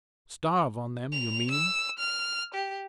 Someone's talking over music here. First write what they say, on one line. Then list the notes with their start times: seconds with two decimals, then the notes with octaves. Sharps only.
"Starve on them, you mean?"
1.12 F7
1.51 E6
1.99 F6
2.54 G4